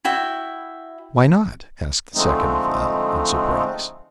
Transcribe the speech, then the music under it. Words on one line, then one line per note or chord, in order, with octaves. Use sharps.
"Why not?" asked the second of L--, in surprise.
E4 F#4 E5 G5
D3 F3 G#3 A3 C4 D#4